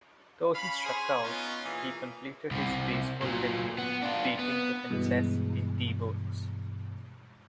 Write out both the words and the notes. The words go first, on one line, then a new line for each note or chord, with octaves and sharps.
Though he struck out, he completed his baseball debut beating the Kansas City T-Bones.
C#4 F5 B5
G#4 C5 C#5 G#5
B3 C#4 D#4 F4
A#2 E3 G#4
C2 C3
A#2 F#3
B3
D4 F4
B3
G2 B2 E3 G#3